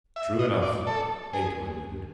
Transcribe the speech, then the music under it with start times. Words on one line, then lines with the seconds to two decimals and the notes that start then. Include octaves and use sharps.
"True enough," Ato admitted.
0.16 E5
0.39 D#5
0.62 D5
0.87 A4
1.33 G#4